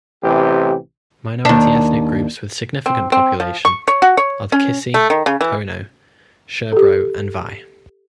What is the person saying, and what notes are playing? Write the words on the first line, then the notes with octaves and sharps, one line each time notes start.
Minority ethnic groups with significant population are the Kissi, Kono, Sherbro and Vai.
A1 C3 E3 G4
D#2 D4
C4
C4
F3
C#6
C#5
F#4
C#5
C#4
A3
D#3
C#3
E3
G4 A4